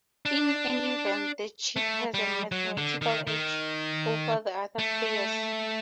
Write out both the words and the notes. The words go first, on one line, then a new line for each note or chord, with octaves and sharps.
In any event, the cheat has a mathematical edge over the other players.
D4
A3
G3
F#3
D3
D#3
D#3
A3